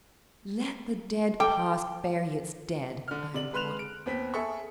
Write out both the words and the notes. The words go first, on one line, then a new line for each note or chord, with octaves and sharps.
"Let the dead past bury its dead," I implored.
A4 G5 D6
D3 F6
C3 D5 F#7
G#3 B4 C6 F#6 E7 F7
D7
D#2 B3 C4 B6
G#4 A4 E5 C#6